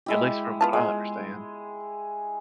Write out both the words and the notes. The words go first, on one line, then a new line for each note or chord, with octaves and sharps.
at least from what I understand.
G#3 E4 G4
B3 F4 A5
G#3